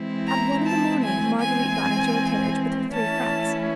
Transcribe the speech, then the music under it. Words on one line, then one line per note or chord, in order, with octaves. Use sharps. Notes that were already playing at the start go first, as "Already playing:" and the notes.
At one in the morning Marguerite got into her carriage with her three friends.
Already playing: E3 G#3 C4 E4
A#5
A5
G#5
E3 G#3 C4 G#5
E3 A3 C#4 E4 A5